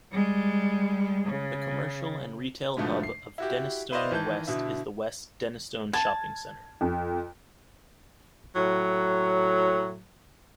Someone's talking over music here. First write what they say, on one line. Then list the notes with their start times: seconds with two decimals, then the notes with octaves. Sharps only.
The commercial and retail hub of Denistone West is the West Denistone Shopping Centre.
0.11 G3 G#3
1.26 C#3
2.77 G#2 B2 D3 F3 A3
3.03 C7
3.38 E4 F#4 G4
3.92 E4 B4 C5 D5 D#5 F5
4.11 D#3 E3 A5 G6
4.47 B2 D3 E4
5.93 A5 G#6
6.81 F2
8.56 A2 F#3